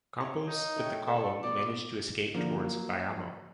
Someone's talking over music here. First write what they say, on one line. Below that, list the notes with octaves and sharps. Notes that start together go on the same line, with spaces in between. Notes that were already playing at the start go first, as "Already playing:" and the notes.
Campos with the column managed to escape towards Bayamo.
C#5 F5
D#4
A3 C#5 G5
A4
B2 D5 C6
D3 F3 A#3
F#3 A#3